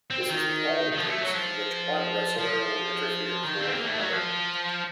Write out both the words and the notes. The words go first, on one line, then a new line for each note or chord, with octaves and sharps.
This is the only case in which one wrestler will interfere for another.
C4
D#3
D#3
F3
A#3
A3
F#3
F3
F3
D#3
C4
A#3
A3
F#3
F3